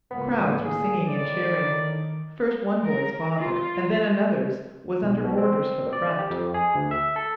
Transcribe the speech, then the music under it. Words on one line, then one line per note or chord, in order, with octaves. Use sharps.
Crowds were singing and cheering. First one boy's father and then another's was under orders for the front.
C#2 A2 A#3 B3
G#4
A2 D#3 D5
A#4
F4
B1
B2
C4
D5
G4
F2
G#4
D2
E5
A4